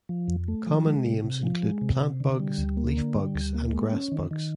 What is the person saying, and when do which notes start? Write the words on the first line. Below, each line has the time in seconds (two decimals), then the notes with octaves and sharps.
Common names include plant bugs, leaf bugs, and grass bugs.
0.09 F3
0.28 F2
0.48 A3
0.67 F3
0.86 G#3
1.05 C3
1.24 C3
1.43 F3
1.63 G#3
1.81 C3
2.01 C3
2.20 D3
2.40 G3
2.58 D2
2.77 A#3
2.97 D3
3.15 G3
3.35 D2
3.54 A#3
3.73 G#3
3.92 C#4
4.12 D#3
4.31 D#3